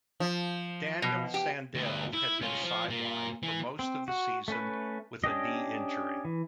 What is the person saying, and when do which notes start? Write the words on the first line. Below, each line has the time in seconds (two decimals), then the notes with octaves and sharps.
Daniel Sandell had been sidelined for most of the season with a knee injury.
0.20 F3
1.02 B2
1.34 G4
1.75 D2 B3
2.14 E4
2.42 C#4 F4
2.63 F3
2.89 A#2
3.43 E3
3.79 C4
4.08 F#4
4.48 A3 C#4 B4
5.24 C#4 D4 G4 D#5
6.25 E3